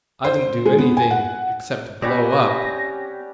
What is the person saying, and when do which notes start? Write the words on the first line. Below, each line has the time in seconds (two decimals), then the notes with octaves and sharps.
"I didn't do anything--except blow up."
0.24 C5
0.66 G#3
0.78 B3
0.97 G#5
1.11 F#5
2.02 G3 C4 C#4 G4 C#5 F#5 B5 A#6